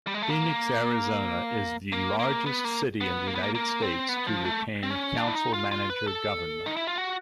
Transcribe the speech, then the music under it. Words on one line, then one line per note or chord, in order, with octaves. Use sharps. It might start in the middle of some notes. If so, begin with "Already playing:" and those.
Phoenix, Arizona is the largest city in the United States to retain council-manager government.
G3
G#3
A3
A#3
A#3
A#3
B3
A#3
B3
A#3
B3
A#3
A#3
C4
B3
F3
A3
C4
C#4
D4
E4
D#4
F4
F4
B4
A4
D#4
E4
F4
F#4